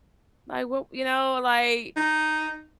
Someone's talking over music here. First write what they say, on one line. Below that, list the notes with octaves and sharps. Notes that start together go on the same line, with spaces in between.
like, what" you know? Like,
D#4